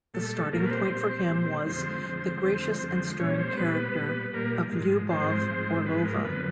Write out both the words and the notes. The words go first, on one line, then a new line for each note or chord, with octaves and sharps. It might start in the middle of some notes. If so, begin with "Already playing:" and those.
The starting point for him was the gracious and stirring character of Lyubov Orlova.
A#2 G3 A3 A4
A#2 G3 A#3 A#4
B4
C4 C5
A#2 G3
A#2 G3
F2 D3 F3 G#3 C4 C5
F2 D3 F3 G#3
F2 D3 F3 G#3
F2 D3 F3 G#3
A#2 G3 C#4 C#5
C4 C5
A#2 G3 B3 B4
A#2 G3
A#2 G3 A#3 A#4
G#2 F3 G#3
G#2 F3 G#3 C4 C5
G#2 F3 G#3
G#2 F3 G#3 B3 B4
A#3 A#4
F#2 D3 F3 B3 B4